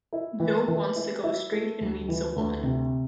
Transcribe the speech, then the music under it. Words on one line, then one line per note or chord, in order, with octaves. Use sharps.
Joe wants to go straight and meets a woman.
E4
E3
E3
E4
E4
A3
D2
E3
D2
C3